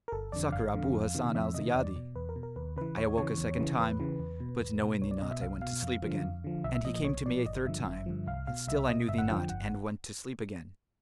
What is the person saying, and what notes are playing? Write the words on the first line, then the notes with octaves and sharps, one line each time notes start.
Succour Abu Hassan al-Ziyadi.' I awoke a second time, but knowing thee not I went to sleep again; and he came to me a third time and still I knew thee not and went to sleep again.
A#4
G1 A4
F2 D3 D5
G1 F5
F2 D3
F2
C3 D#3
F2 E5
C3 D#3 D#5
E2 D5
B2
E2 B4
A#4
B2
A#4
D#2 B4
C#3 E3 B4
D#2 C#5
C#3 E3 C#5
E2
C#3 E3
E2 B4
C#3 E3
E2
B2
E2
B2
C2 C#5
D5
B2 D#5
E5
C2 F5
B2 F5
F2
D3 F3
F2
D3 F3
B1 E5
E5
A#2 F3 D#5
D#5
B1 C#5
A#2 F3 D5
G1 D#5
G2 D3 F3 E5
G1
G2 D3 F3
C2 F5
B2 F5
C2 E5
B2 D#5
G1 E5
F#5
F2 D3 F3 G5
G5
G1 F#5